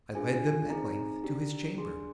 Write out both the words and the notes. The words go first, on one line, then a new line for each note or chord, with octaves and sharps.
I led them, at length, to his chamber.
D4 F4 G#4 G#5
C4 D#4 G#4 A#5
D4 G4
D4 G#4 C6